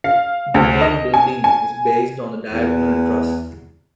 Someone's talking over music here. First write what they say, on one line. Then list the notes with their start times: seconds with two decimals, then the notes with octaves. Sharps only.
The main building is based on the diagonal truss.
0.04 F5
0.54 D2
0.81 D#5
1.14 G#5
1.44 G#5
2.52 E2